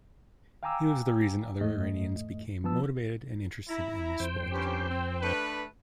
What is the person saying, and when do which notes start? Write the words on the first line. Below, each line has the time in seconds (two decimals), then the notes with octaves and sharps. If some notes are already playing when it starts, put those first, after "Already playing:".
He was the reason other Iranians became motivated and interested in the sport.
0.63 F5 G5 G#5 A#5 D6 E6
1.61 E2 G#2 A3 D#5
2.64 F3 B3 A5 E6
3.69 E4 A#5
4.20 F2 C5 G5
4.51 G2 C#4 G4
4.89 C4
5.21 A3 D4 B4